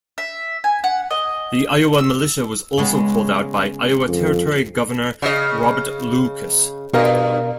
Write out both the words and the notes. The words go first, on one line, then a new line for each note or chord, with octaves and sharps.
The Iowa militia was also called out by Iowa Territory governor Robert Lucas.
E5
G#5
F#5
D#5
E6
C#3 G#3 B3
F2
C#3 D#5
G2 B2 A#4 D#5 F5